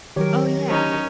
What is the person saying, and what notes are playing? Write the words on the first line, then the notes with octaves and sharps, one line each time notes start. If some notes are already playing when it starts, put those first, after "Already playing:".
Oh, yeah.
D#3 F#3 G4 A#4 C#5
C#4 D#4